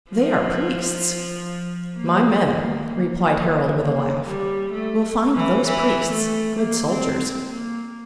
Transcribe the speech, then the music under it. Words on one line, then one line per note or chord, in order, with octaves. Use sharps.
They are priests.' 'My men,' replied Harold, with a laugh, 'will find those priests good soldiers!'
F3
A#3
A#3
A#3
G3
A3
E3
E3
A3
A#3
C4
C4
A#3